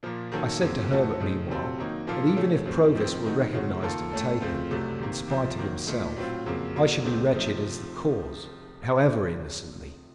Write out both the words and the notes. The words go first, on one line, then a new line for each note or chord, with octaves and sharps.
I said to Herbert, meanwhile, that even if Provis were recognized and taken, in spite of himself, I should be wretched as the cause, however innocently.
A#2 F3 A#3
D#3 F#3 A#3 C#4 A4
F2 C#3 F#3 A#3
A#2 A3 D#4 F#4 A4
F2 C#3 A3 D#4
C3 F#3 C4 F4 A4
D#3 F#3 A#3 D#4
A#2 F3 A#3 F4 A4
C#3 F#3 A3 C#4
F2 C#3 A3 C4
A2 F3 C4
D#3 A3 D#4 F#4
F2 C#3 A3 C#4 F#4
D#3 A#3 F4 A4
A2 A3 C#4 A4
F2 C#3 A3 C4 F4
C2 C3 F#3 A3
C3 D#3 A#3
C#2 C3 F3
D#3 F#3 A#3
A#2 A3 D#4
A2 F#3 C4 F4
F2 C#3 F#3 A#3
C#3 F#3 A#3
C#2 C#3 F#3 A3 C4
C3 F3 A3 D#4